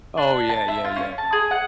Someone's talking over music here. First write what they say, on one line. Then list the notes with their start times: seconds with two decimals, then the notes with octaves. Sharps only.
Oh, yeah, yeah, yeah.
0.17 D4
0.49 A5
0.68 E5
0.84 F4
0.96 C#4
1.18 A5
1.33 G#4
1.51 F#5